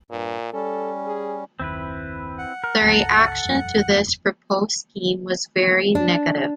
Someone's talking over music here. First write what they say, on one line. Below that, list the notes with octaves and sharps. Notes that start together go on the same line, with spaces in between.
The reaction to this proposed scheme was very negative.
G2 A#2
G3 C#4 A4
G#4
F#1 D#2 C4 E4 B4
F#5
A#4
G1 C#2 A4 A5 A#5
E1 F#2
D4